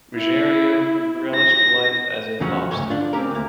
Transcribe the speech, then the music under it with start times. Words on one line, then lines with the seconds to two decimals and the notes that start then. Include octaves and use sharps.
Ruggiero relished life as a mobster.
0.15 E4
1.34 A#6
2.40 E2 C#3 F3 F#3 C#4 F#4
2.71 D2 G#2 C#5
2.90 D4 F4
3.13 C4 C#4 G4 A#4
3.31 D2 A#3